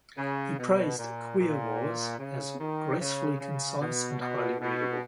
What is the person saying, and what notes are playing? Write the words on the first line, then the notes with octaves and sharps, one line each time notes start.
He praised "Queer Wars" as "gracefully concise and highly readable".
C#3
B2
A#2
A#2
C#3
D#3
C#3
C#3
B2
B2
B2